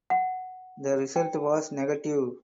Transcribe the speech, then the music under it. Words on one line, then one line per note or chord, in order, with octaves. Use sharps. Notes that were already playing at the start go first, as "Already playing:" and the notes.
The result was negative.
F#5
G5